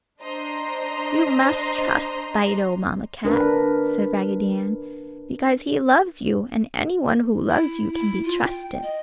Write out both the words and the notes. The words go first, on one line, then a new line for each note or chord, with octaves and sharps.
"You must trust Fido, Mamma Cat!" said Raggedy Ann, "because he loves you and anyone who loves you can be trusted!"
D4 C5 D#5 A#5 C6
D4 A#4 B4
E4
E4
F4
G5
D#5